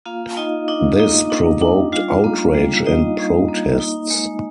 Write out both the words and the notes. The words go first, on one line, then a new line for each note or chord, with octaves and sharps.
This provoked outrage and protests.
A#3 F4 F5
D#4 F4 D#5
D4 D#4 D#5
A#3 D#4 D#5
D4
D4
G3 F4 F5
A#3
G3
G3 D#4 D#5
G3
A#3
D#4
G#3